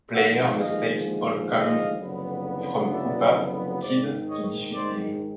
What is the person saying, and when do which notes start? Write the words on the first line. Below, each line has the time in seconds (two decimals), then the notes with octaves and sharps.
Players must take all coins from a Koopa Kid to defeat him.
0.12 D#2 D3 F3 G#3 E5 F#5
0.58 D#5 F5
1.51 D#5 F5
1.97 F#1 F2 D3 F#3 B3
2.89 D5 E5
3.81 G#2 D#3 G#3 C5 D5
4.28 C#5 D#5
4.74 C5 D5